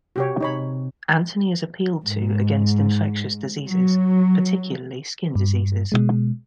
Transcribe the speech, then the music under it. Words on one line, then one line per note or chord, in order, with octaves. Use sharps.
Anthony is appealed to against infectious diseases, particularly skin diseases.
C3 F#4 G4 C#5
D#4 C#5 B5
G#2
F#3
G2
B2 G#3